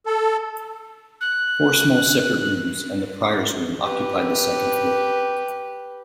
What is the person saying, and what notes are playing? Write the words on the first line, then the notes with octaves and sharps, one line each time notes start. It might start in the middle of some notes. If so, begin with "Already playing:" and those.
Four small separate rooms and the Prior's room occupied the second floor.
A4
F#6
G4 B4